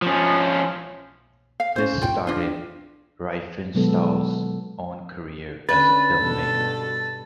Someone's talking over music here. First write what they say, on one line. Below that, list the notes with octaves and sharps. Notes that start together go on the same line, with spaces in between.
This started Riefenstahl's own career as a filmmaker.
F3 C#4
F5
C#4 C5
F4 G5
D4 F4
B2 D#3 F#3 G#3 B3 A4
D3 C#4 B4 A6
G2 B2 A4